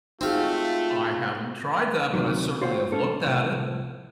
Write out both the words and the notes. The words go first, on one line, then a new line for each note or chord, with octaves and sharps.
I haven't tried that, but I certainly have looked at it.
A3 C4 D#4 F4 F#4 G#4 F5
D2 C3 D#3 F#3
F4 F#4 C5 C#5 F#5 G5
C#4 D4 A4
C2 A2 F3